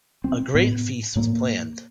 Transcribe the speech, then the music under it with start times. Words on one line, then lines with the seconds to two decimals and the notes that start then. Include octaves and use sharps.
A great feast was planned.
0.24 C4
0.55 A2 B3
1.16 A2 A#3